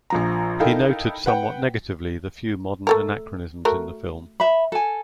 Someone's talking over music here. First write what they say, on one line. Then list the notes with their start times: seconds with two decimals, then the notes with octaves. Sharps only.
He noted somewhat negatively the few modern anachronisms in the film.
0.10 A#1 F3 A#5
0.60 D#4 E4 A4 A#4 F5 G5
1.26 B4 F#5 G5
2.87 A3 A4 A#4
3.65 A3 F#4 A#4
4.40 E5 B5
4.72 A4 G#5